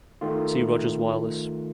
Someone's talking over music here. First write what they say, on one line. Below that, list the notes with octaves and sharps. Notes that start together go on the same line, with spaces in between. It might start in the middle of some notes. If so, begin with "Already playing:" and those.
See Rogers Wireless.
D#3 A3 F4